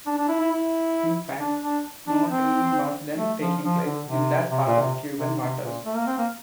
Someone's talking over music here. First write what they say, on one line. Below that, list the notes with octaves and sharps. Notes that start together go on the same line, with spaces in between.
In fact, no drilling was then taking place in that part of Cuban waters.
D4
D4
E4
E4
E4
D4
D4
D4
C4
A3
F3
F3
D3
C3
C3
A#2
C3
C3
C3
A#2
A3
A#3
C4
A#3